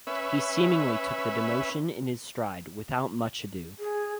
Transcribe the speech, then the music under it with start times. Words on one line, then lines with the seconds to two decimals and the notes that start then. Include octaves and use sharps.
He seemingly took the demotion in his stride without much ado.
0.07 C#4 B4 E5
3.79 G#4